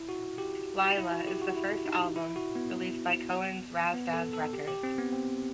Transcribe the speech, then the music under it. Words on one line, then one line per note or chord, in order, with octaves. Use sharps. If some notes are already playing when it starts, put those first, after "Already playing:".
"Lyla" is the first album released by Cohen's Razdaz Recordz.
Already playing: E4
F#4
G4
E4
F#4
G4
F#4
E4
D#4
E4
F#4
B3
B3
A4
A4
G4
G4
C4
B3
C4